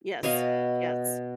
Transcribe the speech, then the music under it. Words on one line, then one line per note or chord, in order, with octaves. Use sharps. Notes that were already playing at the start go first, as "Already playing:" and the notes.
Yes, yes.
B2 C#5 D#5 F5